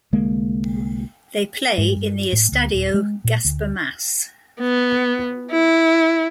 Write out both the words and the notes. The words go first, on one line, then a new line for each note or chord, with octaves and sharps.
They play in the Estadio Gaspar Mass.
C2 D3 G#3 A#3
G#2
G2
A2
D2
D#1
G#3
A#2
D2
B3
E4